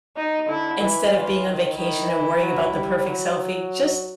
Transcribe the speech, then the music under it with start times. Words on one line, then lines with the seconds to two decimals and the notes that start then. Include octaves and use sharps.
instead of being on vacation and worrying about the perfect selfie, just,
0.17 D#4
0.48 D3 E4
0.80 E3 E4
1.12 E3 F4
1.45 D#3
1.77 D#3 E4
2.09 E3
2.41 F#3
2.74 G3
3.05 F#3